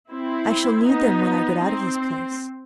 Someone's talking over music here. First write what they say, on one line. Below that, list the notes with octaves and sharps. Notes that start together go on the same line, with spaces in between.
I shall need them when I get out of this place.
C4 E4
B3 D#4
C4